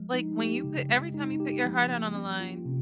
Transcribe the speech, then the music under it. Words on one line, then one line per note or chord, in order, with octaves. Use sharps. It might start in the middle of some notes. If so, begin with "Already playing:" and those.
Like, when you put every time you put your heart out on the line
Already playing: F3 G#3
D#4
G4
C#3
G#3
D#4
G4
F3
A#3
C#4
F4
C3